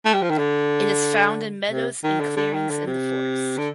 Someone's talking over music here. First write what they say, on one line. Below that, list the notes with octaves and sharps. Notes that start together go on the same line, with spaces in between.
It is found in meadows and clearings in the forest.
A3
G3
F3
D#3
D3
C3
D#3
D3
D3
D#3
D3
C3
D3